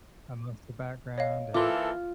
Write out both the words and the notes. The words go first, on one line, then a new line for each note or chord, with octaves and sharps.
amongst the background, and
C#5 D#5 F5
E3 A#3 F4 A4 C6 D6